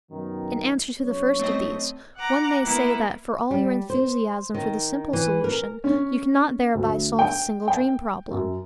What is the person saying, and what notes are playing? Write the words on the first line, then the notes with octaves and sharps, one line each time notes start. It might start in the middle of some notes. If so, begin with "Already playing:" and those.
In answer to the first of these, one may say that for all your enthusiasm for the simple solution, you cannot thereby solve a single dream problem.
F#2 B2 D#3
B1 C#4 C#5
A3 C4 D#5
F#5 A#5 D6
A#3 B3 E4
G3
C5
D#3
E3
A#4
C#4
D2
G5
G5
F#2